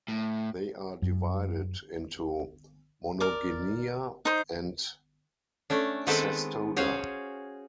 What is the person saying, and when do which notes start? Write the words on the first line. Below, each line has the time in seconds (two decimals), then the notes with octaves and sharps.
They are divided into Monogenea and Cestoda.
0.08 A2
1.02 F#2
3.20 A#4 D5
4.25 D#4 C5
5.70 A3 C#4 D4
6.07 D#3 G#3 B3 C4 A4 B4
6.76 C#4 F#4 G#4 C5 C#5 F5